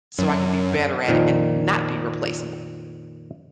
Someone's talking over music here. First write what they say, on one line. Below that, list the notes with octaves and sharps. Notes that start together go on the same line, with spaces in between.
so I can be better at it and not be replaceable?"
F#2
F2 A#2 D#3 F3